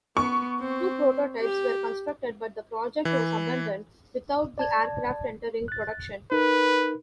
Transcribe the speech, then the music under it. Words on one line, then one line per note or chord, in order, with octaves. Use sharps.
Two prototypes were constructed, but the project was abandoned without the aircraft entering production.
B3 C#6
C4
G4
E3
D5 A5 G#6
F#6 A6
D#4 A#4 B4